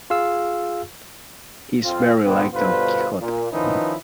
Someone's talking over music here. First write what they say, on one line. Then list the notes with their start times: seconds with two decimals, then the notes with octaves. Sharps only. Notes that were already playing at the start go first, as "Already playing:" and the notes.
He is very like Don Quixote.
0.10 F4 G#4 F5 E6
1.83 F2 F3 C4 F4
2.25 A#2 D3 B3 C4
2.54 G2 B2 D3 F4 B4 C5
3.21 A#2
3.52 D#3 F3 C#4 D#4 E4 B4